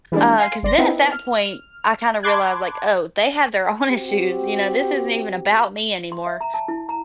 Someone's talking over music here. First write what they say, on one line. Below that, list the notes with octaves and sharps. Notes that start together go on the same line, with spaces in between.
uh, 'cause then at that point, I kind of realized like, "Oh, they have their own issues, you know, this isn't even about me anymore."
E3 G3 G#3 A#3 D4
F5 G#5 C6 C7
G1 D5 C6 A#6
B3 C4 D#4 E4
F6
A5 B5 C6 D6 F#6 G#6
C4 F#4 G4
C6
E5
A#5
A5
E4
A#5